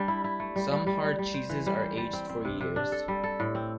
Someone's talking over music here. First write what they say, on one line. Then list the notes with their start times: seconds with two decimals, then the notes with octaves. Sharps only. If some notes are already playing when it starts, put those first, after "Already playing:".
Some hard cheeses are aged for years.
Already playing: G3 D4
0.08 E4
0.24 E4
0.40 A3
0.56 G3
0.72 G3
0.87 G3
1.03 G3
1.19 G3
1.34 C5
1.49 E3
1.66 G3
1.82 C5
1.98 G3
2.13 C4
2.29 C4
2.45 C3
2.61 C3
2.76 D4
2.92 A4
3.08 G3
3.24 A4
3.40 A2
3.55 C4